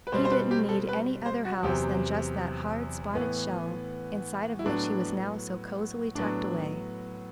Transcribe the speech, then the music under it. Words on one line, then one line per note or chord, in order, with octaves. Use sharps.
He didn't need any other house than just that hard, spotted shell, inside of which he was now so cosily tucked away.
B4
B2 G3 C4 C5
C5
B4
G4
A4
B4
C5
F#4
F#4
E2 C3 F#3 C4 G4
A2 E3 B3
E4
A2 F#3 B3 D4
A2 F#3 B3 D4